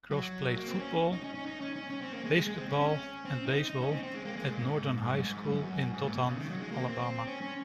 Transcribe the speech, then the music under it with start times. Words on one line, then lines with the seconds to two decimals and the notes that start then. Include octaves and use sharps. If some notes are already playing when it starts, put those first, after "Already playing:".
Gross played football, basketball, and baseball at Northview High School in Dothan, Alabama.
0.11 F#3
0.56 A#3
0.68 C4
0.79 C#4
1.12 D#4
1.24 C#4
1.35 C#4
1.46 D#4
1.61 C#4
1.76 C#4
1.90 C#4
2.01 C4
2.13 A#3
2.24 G#3
2.35 G#3
2.47 G#3
2.57 C4
2.69 C#4
2.80 C#4
3.25 C4
3.46 D#4
3.70 D#4
3.80 C#4
3.92 C4
4.03 C4
4.14 G#3
4.25 A#3
4.36 G#3
4.48 A#2
4.58 G#2
5.04 G#2
5.13 F#2
5.24 G#2
5.49 F#2
5.94 G#2
6.04 A#2
6.15 C3
6.26 C#3
6.37 D#3
6.49 F#3
6.60 G#3
6.72 A#3
6.83 C4
7.27 C#4
7.42 C#4